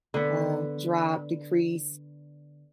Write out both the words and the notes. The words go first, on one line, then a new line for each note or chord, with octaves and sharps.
uh, drop, decrease.
D3 B3